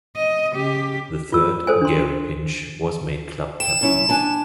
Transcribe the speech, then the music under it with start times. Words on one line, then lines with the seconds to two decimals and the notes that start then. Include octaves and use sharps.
The third, Gary Pinch, was made club captain.
0.16 D#5
0.53 C#3 G4
1.32 F4 E6
1.67 A4 C5 G#5
1.81 D4 C6
3.60 G5 E7
3.81 F#2 C#4 E4
4.09 D4 G#5 A5